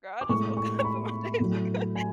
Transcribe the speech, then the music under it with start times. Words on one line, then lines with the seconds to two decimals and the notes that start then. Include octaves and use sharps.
"Girl, I just woke up and my day is good."
0.21 D6
0.29 A2 G#3 C#6
0.57 C#6
0.80 C#6
0.84 B5
1.40 A2 F#3
1.96 G#5